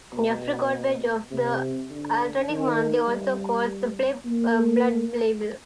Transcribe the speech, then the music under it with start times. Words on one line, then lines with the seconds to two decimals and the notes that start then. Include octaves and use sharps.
Jeffrey Goldberg of "The Atlantic Monthly" also calls the play a blood libel.
0.13 B2
1.31 C3
1.90 D3
2.49 D#3
3.07 G3
4.25 A#3